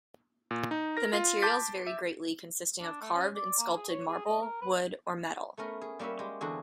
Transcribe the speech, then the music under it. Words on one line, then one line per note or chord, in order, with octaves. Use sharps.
The materials vary greatly consisting of carved and sculpted marble, wood, or metal.
A#2
D#4
A#4 A#6
F4
A5 C6 D6 G6 A6 B6
E5
D4
A3
C#4
D5
A#3
G#4
C#5
G#4
D#5
A#4
B4
A3 B3 C#4 A#4
G#4
G3 A#3 C#4 B4 E5
G#3 G4
E2 D3 C4 D4 F#4 G#4